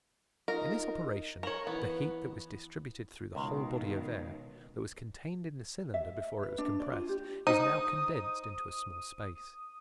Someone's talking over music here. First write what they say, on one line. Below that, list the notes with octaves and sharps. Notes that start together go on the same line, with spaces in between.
In this operation the heat that was distributed through the whole body of air, that was contained in the cylinder before it was compressed, is now condensed into a small space.
D#4 F4 A#4
A#4 C#5 E7 F#7
E3 B3
C#2 B2 D#3
E5
B4
D4
D5
F4
G4
D#4 C5 D#6